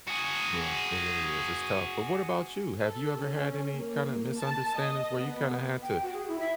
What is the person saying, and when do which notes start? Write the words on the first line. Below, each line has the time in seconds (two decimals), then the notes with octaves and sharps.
Yeah, it really is. It's tough. But what about you? Have you ever had any kind of misunderstandings where you kinda had to
0.08 F#4 G#4
2.81 A4
3.20 C#4
3.77 A#3
4.39 A5
4.77 D#5
5.16 B3
5.83 G5
6.02 F#4
6.14 G#4
6.28 E4
6.40 E5